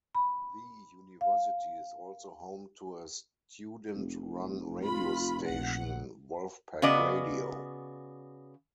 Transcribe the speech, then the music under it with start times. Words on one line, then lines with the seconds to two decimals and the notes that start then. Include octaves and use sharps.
The university is also home to a student-run radio station, Wolf Pack Radio.
0.15 B5
1.21 F5
3.95 F1
4.82 F4 B5
5.45 A#1 F#5
6.82 C#3 B3 F#4 D5 D#5